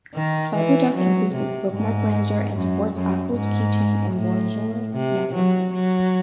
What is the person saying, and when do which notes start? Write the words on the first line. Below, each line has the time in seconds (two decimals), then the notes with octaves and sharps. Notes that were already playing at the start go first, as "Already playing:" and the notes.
Cyberduck includes a bookmark manager and supports Apple's Keychain and Bonjour networking.
0.15 D#3
0.55 E3
0.95 F#3
1.35 C3
1.75 G#2
2.55 F#2
2.94 F#2
3.34 G#2
4.14 A2
4.94 C3
5.34 F#3
5.74 F#3